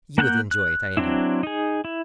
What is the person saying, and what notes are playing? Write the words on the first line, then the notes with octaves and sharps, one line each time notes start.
You would enjoy it, I know.
A#3 F#5 A5 F#6 G6
F#6
F#3 C4 D4 E4
D#4 G#4
E4